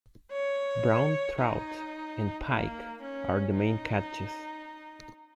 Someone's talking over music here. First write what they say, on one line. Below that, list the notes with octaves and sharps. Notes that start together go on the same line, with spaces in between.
Brown trout and pike are the main catches.
C#5
D#4
A#3
C#4
D#4